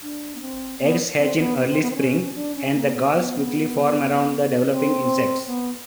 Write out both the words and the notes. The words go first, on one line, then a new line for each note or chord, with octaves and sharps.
Eggs hatch in early spring and the galls quickly form around the developing insects.
D4
B3
C4
B3
C4
B3
B3
C4
B3
C4
C#4
D4
C#4
A#3
B3
B3
C4
B3